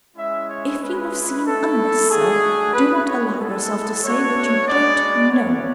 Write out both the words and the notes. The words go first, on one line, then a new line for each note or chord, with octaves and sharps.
If you have seen amiss, sir, do not allow yourself to say what you don't know!
G#3 C#4 E4 E5
C#5
G#3 C#4 E4 B4
A3 E4 A4
A3 D4 F#4 G#4
B3 F#4 B4
C#5
G#3 B3 E4 A4
A3 D4 F#4 C#5
G#3 B3 F#4 D5
A3 C#4 F#4 C#5